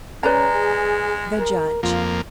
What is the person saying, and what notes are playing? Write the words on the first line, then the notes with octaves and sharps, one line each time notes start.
The Judge.
G#3 C#4 B4 D5 A#5
G#4
A#4
F2 A#3 F4